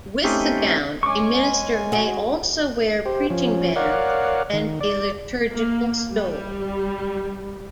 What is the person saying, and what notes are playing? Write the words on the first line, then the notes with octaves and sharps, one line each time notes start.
With the gown a minister may also wear preaching bands and a liturgical stole.
A3 C4 C#4 D#4 G4
G#3 C#4 G#5 C#6 D6
F#4 G#4
G4 C5
F3 C#4
A#4 C#5 D5 F5 F#5
D#3
D5
A#3
G3